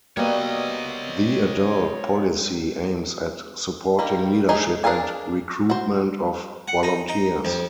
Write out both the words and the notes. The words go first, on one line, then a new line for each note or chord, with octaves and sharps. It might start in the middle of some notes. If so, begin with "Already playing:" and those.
The adult policy aims at supporting leadership and recruitment of volunteers.
F#3 G3 A#3 B3 B4 C#5 D#5
D#3 G3 A#3
A3 D#4 G#4
D4 G#4 A#4 F5 G#5
F#4 C5
F#5
D#4
D#4
F2